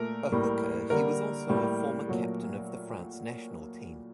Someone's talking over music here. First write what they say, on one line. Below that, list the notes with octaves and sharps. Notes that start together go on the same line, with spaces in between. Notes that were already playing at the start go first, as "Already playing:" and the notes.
A hooker, he was also a former captain of the France national team.
Already playing: A#2 A3 A#4
A2 G3 A#3
D3 G3 A#3 A#4
A2 G3 A#3
A#2 F#3 A3